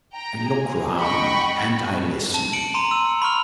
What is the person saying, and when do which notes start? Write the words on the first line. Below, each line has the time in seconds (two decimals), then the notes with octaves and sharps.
I look round and I listen.
0.13 G5 A#5
0.45 G#4
0.99 D#5 F#5 G5 B5 C#6
2.34 A5
2.53 C#7 D7 F#7
2.74 A#5 C6 D#7
2.91 E6 D#7
3.22 B5 C#6 F6 F7